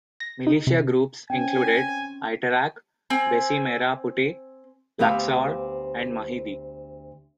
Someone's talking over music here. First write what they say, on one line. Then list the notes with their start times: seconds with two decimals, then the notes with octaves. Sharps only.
Militia groups included Aitarak, Besi Merah Putih, Laksaur, and Mahidi.
0.20 A#6
0.47 D#4
0.67 C3
1.30 C4 C#4 G5 G#5
3.10 C4 G#5
4.99 D2 B3 C4 G4 F5